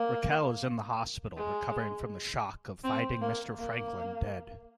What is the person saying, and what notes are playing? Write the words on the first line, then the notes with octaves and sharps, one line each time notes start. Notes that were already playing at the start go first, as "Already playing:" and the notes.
Raquel is in the hospital recovering from the shock of finding Mr. Franklin dead.
Already playing: A#3
G#3
C4
A#3
A#3